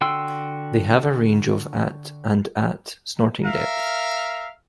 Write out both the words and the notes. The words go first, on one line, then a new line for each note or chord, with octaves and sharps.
They have a range of at and at snorting depth.
D3 F#4 G5 C6 E6
A#4 E5 F5